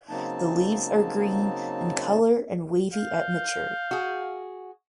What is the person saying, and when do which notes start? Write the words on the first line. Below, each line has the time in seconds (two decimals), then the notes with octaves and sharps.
The leaves are green in color and wavy at maturity.
0.09 C#3 F#3 A#3 C4 D#4 A5
2.93 F5 G6
3.91 F#4 G#4